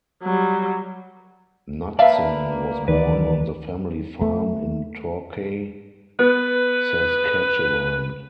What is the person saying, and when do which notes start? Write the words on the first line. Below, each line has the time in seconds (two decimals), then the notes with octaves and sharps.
Knutson was born on the family farm in Torquay, Saskatchewan.
0.22 F#3 G3
1.99 A#3 B4 D5 E5 F5 A5
2.88 D2 D#3 E3 B4 D5
4.22 A3
6.19 B3 B4